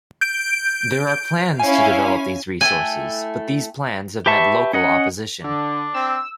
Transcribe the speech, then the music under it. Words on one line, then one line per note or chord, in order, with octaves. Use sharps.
There are plans to develop these resources, but these plans have met local opposition.
G6 D7
C#4 E4 F5 G#5
A3 E4 G5 G#5
G4 B4 E5 A5 C#6
C#4 D#5 F#5
D3 D4
C4 E6